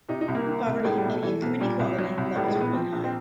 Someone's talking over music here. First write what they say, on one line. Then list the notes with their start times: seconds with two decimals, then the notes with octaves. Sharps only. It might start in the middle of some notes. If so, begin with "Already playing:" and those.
Poverty and income inequality levels remain high.
0.09 C3 D#4
0.21 D#4
0.28 C2
0.35 A#3
0.47 D#3
0.66 C2
0.78 A3
0.85 A2 G#3
0.97 G3
1.04 B1
1.10 A3
1.22 E3 A3
1.42 B1
1.60 A#2 G3
1.79 C2
1.99 F#3
2.18 C2
2.36 A2 G3
2.48 G#3
2.55 A#1
2.61 B3
2.73 F3 C4
2.92 A#1
3.04 C4